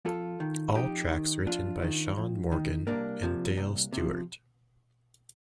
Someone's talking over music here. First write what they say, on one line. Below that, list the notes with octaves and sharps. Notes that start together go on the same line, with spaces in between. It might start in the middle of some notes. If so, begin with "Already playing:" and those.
All tracks written by Shaun Morgan and Dale Stewart.
F2 F4 A4
D#3
F2 D#4 G4
D#3
F2 D4 F4
D#3
F2
D#3
C2 A#3 D4
C3 F3
C2
C3
F3